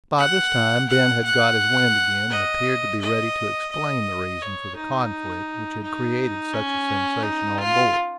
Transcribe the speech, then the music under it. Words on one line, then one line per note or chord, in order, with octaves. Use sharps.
By this time Ben had got his wind again, and appeared to be ready to explain the reason for the conflict which had created such a sensation on board.
F#5
F#5
F#5
D#5
D#5
D#5
C#5
D#4
D#4
C#4
D#4
F4